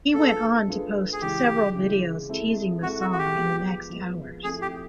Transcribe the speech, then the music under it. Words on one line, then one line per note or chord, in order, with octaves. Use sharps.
He went on to post several videos teasing the song in the next hours.
A3 D4 F4 G#4 A4 B4
A3 D4 F4 G#4 B4
G#4
C#3 E3 G#3 G4
C#3 E3 G#3
G#3 C4 E4 A4
G#3 C4 E4 F#4 A4
F#4
F#4
G4
F3 G#3 B3
F3 G#3 B3
F3 A3 C4 E4 G#4
G4